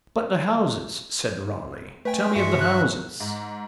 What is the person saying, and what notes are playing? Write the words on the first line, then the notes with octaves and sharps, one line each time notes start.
"But the houses," said Raleigh; "tell me of the houses."
A3 B4 G5 G#5
G2 F#4 E5 C6 C#7
F#6
G#2